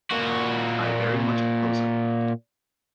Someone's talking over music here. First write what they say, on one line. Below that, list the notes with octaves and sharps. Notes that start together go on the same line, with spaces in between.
I very much oppose it.
A#2 F#4